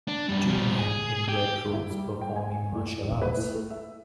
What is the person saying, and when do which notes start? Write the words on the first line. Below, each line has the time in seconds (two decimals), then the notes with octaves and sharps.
Two men in red robes performing martial arts.
0.08 D4
0.29 F#2 G3
0.48 F3 G3
0.79 G#4
1.29 G4
1.72 E4
1.90 G3
2.21 G5
2.36 G#5
2.75 A2
3.22 B4
3.37 A2
3.55 A3
3.70 E5